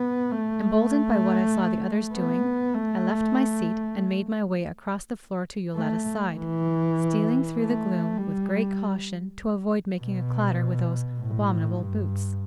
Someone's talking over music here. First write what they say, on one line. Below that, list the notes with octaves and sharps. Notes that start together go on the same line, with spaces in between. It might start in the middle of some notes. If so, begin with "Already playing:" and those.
Emboldened by what I saw the others doing, I left my seat and made my way across the floor to Yoletta's side, stealing through the gloom with great caution to avoid making a clatter with those abominable boots.
Already playing: B3
A3
B3
A3
A3
E3
A3
G3
B2
A2
G2